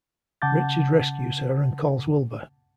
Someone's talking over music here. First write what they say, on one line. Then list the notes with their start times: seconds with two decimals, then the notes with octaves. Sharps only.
Richard rescues her and calls Wilbur.
0.42 C#3 F#5 A5 D6 G6 A6